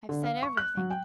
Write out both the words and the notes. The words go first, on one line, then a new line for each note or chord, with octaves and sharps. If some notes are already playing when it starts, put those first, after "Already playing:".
I've said everything....
D3
F5
C#6
F#6
F#3
G5